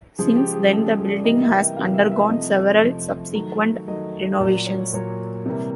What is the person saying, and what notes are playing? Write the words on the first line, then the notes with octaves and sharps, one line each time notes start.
Since then, the building has undergone several subsequent renovations.
C#3 F3 G#3 G#4
G4
G#4
C#3 F3 G#3 A4
G#4
A4
D5
C3 E3 G3 A#3 D#5
E5
G5
C3 E3 G3 A#3 F5
E5
E5
C3 F3 A3 D#5
D#5
C3 F3 A3
D#3 F#3 A3
D#3 F#3 A3 D#5
A#2 F#3 A#3 D5
C#5
A#2 F#3 A#3 C#5
C3 E3 G3 A#3